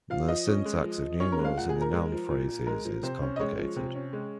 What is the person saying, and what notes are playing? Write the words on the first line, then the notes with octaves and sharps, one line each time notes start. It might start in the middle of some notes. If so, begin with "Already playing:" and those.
The syntax of numerals in the noun phrases is complicated.
F3 F5
F3 D#5
C#4
G#3
F3
F3
C#4 C#5
A#4
G#3
F5
A#2 F#5
G#4
A#2
A#4
G#3
F3
A#2
A#2
G#3 A#4
F3
C3 C5
C#4
D#5
G#3 C#5
F3
C3
C#4
G#3